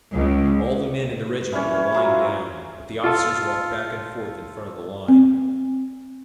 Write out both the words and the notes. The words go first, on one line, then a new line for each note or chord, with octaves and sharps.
All the men in the regiment were lying down, but the officers walked back and forth in front of the line.
C#2
E3 G3 C#4 C#5
E3 F#3 F4
F4 A4
C4